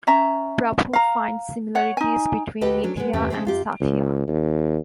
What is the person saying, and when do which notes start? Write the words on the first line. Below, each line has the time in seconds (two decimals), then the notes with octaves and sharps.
Prabhu finds similarities between Nithya and Sathya.
0.07 C#4 E5 A#5
0.93 F5 A#5
1.75 C#5 F#5
1.97 D#4 G#5
2.61 D2 G4 A4 B4 D#5 G5
2.84 F#3 C#4 D4
2.97 G#3 B3
3.13 E2 G2 C3 A3 C#4
3.30 C#3 G#3 A3 C4
3.45 F#2 F4 G4
3.81 C#2
4.27 D#2